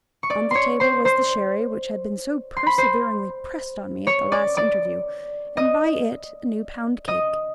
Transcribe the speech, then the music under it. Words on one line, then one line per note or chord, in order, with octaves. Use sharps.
On the table was the sherry which had been so perseveringly pressed on me at the last interview, and by it a new pound cake.
C#6
D5 D6
C#5 C6 C#6
C5 C6
C5 C6
C6
B5
C5 C6
C#5 C#6
D5 D6
D5 D6
D#5 D#6
D#5 D#6